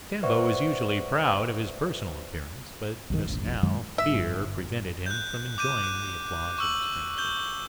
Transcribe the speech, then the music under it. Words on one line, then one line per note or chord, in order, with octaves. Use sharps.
Sambo was usually proud of his personal appearance, but just now fear prevented him from enjoying the applause of the strangers.
B4 C5 D5 E5 F#5 C#6
B1 G2 D#3
E1 A#1
F1 A#1 F2
F#2 D#3 F#3 G#3
G1 E5
F#6 G6
D6 G6 D#7
F#6
C#6 E6 F#7
G6 G7